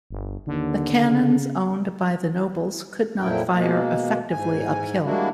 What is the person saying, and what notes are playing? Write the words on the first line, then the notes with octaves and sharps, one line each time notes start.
The cannons owned by the nobles could not fire effectively uphill.
G1
D#2 D3
C#3
F2 A#2 F3 F#3 E4 G5
B2 G#3 A#3
G#2 G#5
G3 G#3 A#3 D4 E4 F#4